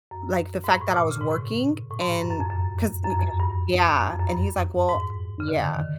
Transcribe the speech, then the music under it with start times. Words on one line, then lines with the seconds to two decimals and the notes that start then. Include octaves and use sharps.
like the fact that I was working and 'cause n eh, yeah, and he's like, "Well," yeah,
0.11 F#2
0.64 G#2
0.72 G2
0.81 A2
0.91 A#2
1.01 B2
1.11 C#3
1.21 G#2
1.31 A2
1.91 A2
2.01 G#2
2.10 G2
2.21 F#2
2.31 F#2
2.40 F2
2.50 F#2
3.05 F#2
3.10 F2
3.20 F2
3.30 F#2
3.40 G2
4.00 F#2
4.10 F2
4.19 F#2
4.29 G2
4.89 G#2
5.40 C#3
5.48 D3
5.64 D#3